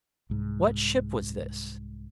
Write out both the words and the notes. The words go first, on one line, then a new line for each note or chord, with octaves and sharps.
What ship was this?
C2 G#2